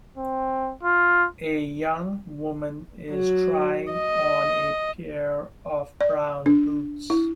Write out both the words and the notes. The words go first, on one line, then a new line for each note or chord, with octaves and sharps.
A young woman is trying on a pair of brown boots.
C4
F4
F#3
D#5
D5
D4
E4